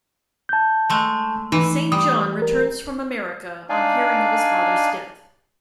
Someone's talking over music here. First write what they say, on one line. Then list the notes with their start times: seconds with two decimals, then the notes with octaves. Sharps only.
Saint John returns from America on hearing of his father's death.
0.49 A5 G6
0.90 G#3 A3
1.52 E3 D#4
1.92 G3 D#6
2.42 A#4
3.69 D4 D#4 D5 F5 G#5